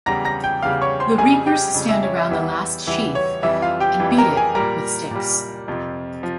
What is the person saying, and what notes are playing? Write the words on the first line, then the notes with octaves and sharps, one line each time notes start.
The reapers stand around the last sheaf and beat it with sticks.
E2 C#3 G3 A#5 A#6
A#5 A#6
G5 G6
E2 C#3 G3 F5 F6
C#5 C#6
C5 C6
F2 C#3 G3 G#4 G#5
G4 G5
F2 C#3 G3
E5
C#5
E5
E2 E3 G3 E5
E2 E3 G3 E5
C#5
F2 E3 G3 E5
F4 F5
G4 G5
F2 E3 G3
A#4 A#5
G#4 G#5
A#2 G3 A#4 A#5
A#2 G3
F2 C3 F3
F3